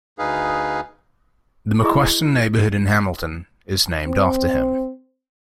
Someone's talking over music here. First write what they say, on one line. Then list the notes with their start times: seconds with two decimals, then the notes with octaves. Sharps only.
The McQuesten neighbourhood in Hamilton is named after him.
0.19 D2 D#4 G#4 B4 F5
1.83 E4 G#4 D#5 A#5
4.06 C4